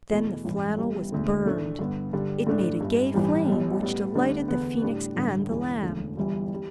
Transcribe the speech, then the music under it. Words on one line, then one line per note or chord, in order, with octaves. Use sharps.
Then the flannel was burned. It made a gay flame, which delighted the Phoenix and the Lamb.
E2 B2 A3 E4
A1 G2 E3
G1 G2 G3
E1 D2 D3
A2 A3 D4
G2 D3 B3
G2 D3 G3 D4
A2 A3 D4
G1 G2 G3
A1 G2 E3 G3
B1 B2 G3
A2 G3 B3
D2 D3 G3 B3 D4
E2 D3 B3
A2 G3 D4
A1 G2 D3
E1 E2 E3
E1 D2 D3
G1 G2 E3 G3 E4
G3